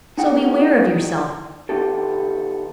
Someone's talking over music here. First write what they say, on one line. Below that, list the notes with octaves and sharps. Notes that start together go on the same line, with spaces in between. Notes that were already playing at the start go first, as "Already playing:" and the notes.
So beware of yourself.
D#4 E4 F#4 G#4 F#5 G5
D#3 B3 C4 F4 G4 A4